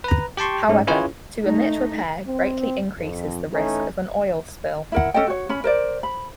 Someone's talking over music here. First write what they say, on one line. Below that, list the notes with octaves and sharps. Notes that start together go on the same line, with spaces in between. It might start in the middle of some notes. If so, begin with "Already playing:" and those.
However, to omit repair greatly increases the risk of an oil spill.
B4 A#5
G4 G5 A5 C6 C#6
G#2 G#3 C#4
C#4 E4 F4 G#4 B4 C#5
A3 D#4
C4
F2
E3 A3 C#4 D#4
E4 A#4 F#5
C#4 A4 D#5 G5
F#4 C#5
C#4 B5
A#4 C5 D5
B5